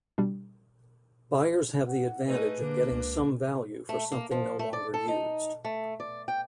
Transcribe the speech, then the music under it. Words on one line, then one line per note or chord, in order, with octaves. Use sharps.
Buyers have the advantage of getting some value for something no longer used.
B2 G3 D4
F#5
A3 D#4 G#4 B4
D3 A#3 D4
C#2
A3
A#3
F3
A3
D5
A4
D#4
A3
D5
G5